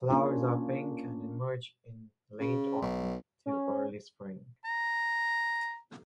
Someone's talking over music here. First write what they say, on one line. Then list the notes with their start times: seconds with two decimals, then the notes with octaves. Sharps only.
Flowers are pink and emerge in late autumn to early spring.
0.10 A#3 C#4 D4 F4
2.40 C#3
2.82 B1
3.46 C#4
4.65 A#5